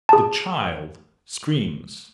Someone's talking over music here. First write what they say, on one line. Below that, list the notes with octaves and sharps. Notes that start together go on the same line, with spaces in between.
The child screams.
G#4 A5